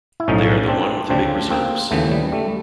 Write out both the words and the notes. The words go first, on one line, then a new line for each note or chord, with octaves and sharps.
They are the one with the big reserves.
E4
B1 A2 F3 C#4 D#4
C4 D4
D2 C#3 F3 C4 D4
A#3 C4
D#2 C#3 E3 A3 B3
G3
G3 A3